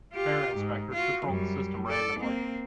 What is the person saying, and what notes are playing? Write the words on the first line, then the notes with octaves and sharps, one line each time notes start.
Fare inspectors patrol the system randomly.
F4 G4
G#2
F4 F#4
F#2 G3
A4 D5
A#3 C4